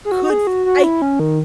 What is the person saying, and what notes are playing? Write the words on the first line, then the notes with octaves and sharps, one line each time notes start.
could f I,
G#4
F#4
F#4
G#4
F#4
F#4
E4
C#4
D#3